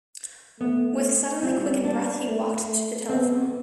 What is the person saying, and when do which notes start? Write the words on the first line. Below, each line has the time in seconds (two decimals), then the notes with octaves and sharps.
With suddenly quickened breath he walked to the telephone.
0.60 A3 B3
1.43 G3 C4
1.85 D4
2.27 A3
2.68 A3
3.08 B3 C4